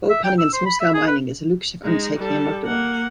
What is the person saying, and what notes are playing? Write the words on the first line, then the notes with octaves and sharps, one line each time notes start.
Gold panning and small-scale mining is a lucrative undertaking in Magdiwang.
E5
G5
E6
C5
B5
E5
G#4
B4
G#3 D#4
G3 A4
A#3 F#5